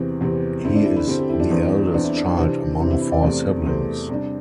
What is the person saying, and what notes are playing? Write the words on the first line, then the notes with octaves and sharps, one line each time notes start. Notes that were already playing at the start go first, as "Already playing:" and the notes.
He is the eldest child among four siblings.
Already playing: E2 C3 E3 C4
E2 C3 E3 C4
D3 C4 E4
D4
E4
E4
D3 C4 G4
G4
E4
D4
E2 E3 C4
E2 E3 C4 D4
E4
D4
E4
C3 E3 C4 D4
C3 E3 C4 E4
E4
E4
D5
E2 C3 A3 C4 D5
E2 C3 A3 C4 C5
C3 G3 D4